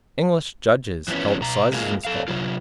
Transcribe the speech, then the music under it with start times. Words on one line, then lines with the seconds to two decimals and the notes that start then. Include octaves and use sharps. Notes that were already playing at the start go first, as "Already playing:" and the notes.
English judges held assizes in Scotland.
1.08 E3 F3 G3 B3 C#4
1.41 B2 A#5
1.73 G#3 A#3 F4 G#4
2.05 A4 F5
2.28 C3 F#3 F4